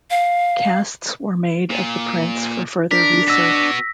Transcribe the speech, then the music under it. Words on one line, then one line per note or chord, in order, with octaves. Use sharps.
Casts were made of the prints for further research.
F5
A#2
D4 A#4 B6
B3 F#4 E6 A#6